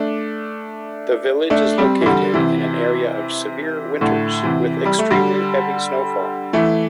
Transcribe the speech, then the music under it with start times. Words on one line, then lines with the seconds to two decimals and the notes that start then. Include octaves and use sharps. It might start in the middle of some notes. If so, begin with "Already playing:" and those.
The village is located in an area of severe winters with extremely heavy snowfall.
Already playing: A3 D4
1.50 A3 D4
1.78 G3 C4
2.01 E3
2.06 D3 G3
2.34 C3 E3
4.01 A2 D3
4.43 C3 E3
4.85 G3
4.99 A3
5.10 D3 G3
6.53 E3 A3